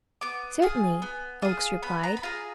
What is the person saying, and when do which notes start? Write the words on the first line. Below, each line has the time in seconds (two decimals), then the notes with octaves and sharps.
"Certainly," Oakes replied.
0.21 B3 D6
0.62 F4 G#4
1.02 B3
1.42 F4 G#4
1.83 B3 B5
2.03 A#5
2.17 B5
2.23 F4 G#4 A#5